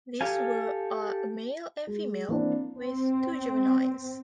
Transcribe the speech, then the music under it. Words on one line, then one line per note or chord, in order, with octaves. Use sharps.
These were a male and female, with two juveniles.
G4 A4 F5 G#5
G#3
E3 A#3 C4 D4
C4